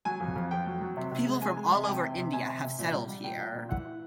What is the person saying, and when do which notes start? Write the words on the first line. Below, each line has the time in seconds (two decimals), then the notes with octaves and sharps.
People from all over India have settled here.
0.05 F#3 G#5
0.20 F2
0.36 F2
0.51 F2 G5
0.66 F#3
0.81 F#3
0.97 C3
1.11 C3
1.27 G#3
1.42 G#3 G#5
1.57 G#3
1.72 C3
1.84 G#5
1.88 C3 G5
2.03 C3
2.18 C3
2.33 C3 G#5
2.48 C3
2.63 C3
2.79 A#2
2.95 G3
3.09 G3
3.24 A#2 G5
3.39 A#2
3.55 A#2
3.69 E3 F#5
3.85 E3